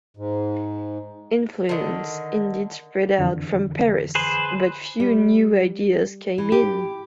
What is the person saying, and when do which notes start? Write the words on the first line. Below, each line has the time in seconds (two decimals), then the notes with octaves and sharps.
Influence indeed spread out from Paris, but few new ideas came in.
0.17 G#2
1.69 D3 D#3
3.19 F2 D3 E3
4.15 G#4 B4 C5
5.00 G3
6.38 E3
6.52 G4